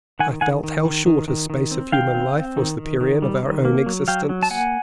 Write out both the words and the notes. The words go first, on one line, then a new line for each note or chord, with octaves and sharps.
I felt how short a space of human life was the period of our own existence.
D#3 F#5 G#5
D#3 F#5 G#5
D#3
D#3
D#3
D#3
D#3
C4
D#3 F5 G5
C4
C4
D#3
D#3
D#3
G3
D#3
A#3
F#3
F#3 F5 G5
F#3
A5
A#3 F#5 G#5